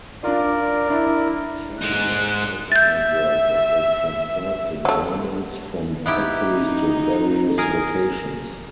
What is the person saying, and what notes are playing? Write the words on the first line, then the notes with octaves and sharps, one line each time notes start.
Carriers also find work as they transport the garments from factories to various locations.
D4 F4 A#4 D5
D4 E4
G#3 D#4 F#6
E5 G6 A6
F#3 A3
B3 D#4 E4 G4
G#4 A#4